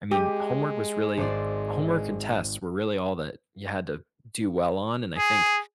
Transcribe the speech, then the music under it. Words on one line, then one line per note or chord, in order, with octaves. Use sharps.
I mean, homework was really homework and tests were really all that you had to do well on, and I think
G#3 G4 D#7
G#1 C5 D5
G#4